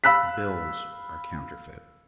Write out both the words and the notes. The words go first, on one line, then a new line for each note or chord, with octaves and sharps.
"The bills are counterfeit."
F5 B5 E6 F#6 B6